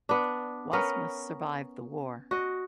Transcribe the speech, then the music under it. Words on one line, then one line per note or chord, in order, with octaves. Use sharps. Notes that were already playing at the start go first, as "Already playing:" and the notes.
Wassmuss survived the war.
B3 D4
B3 C#4 A#4
F#4 D#5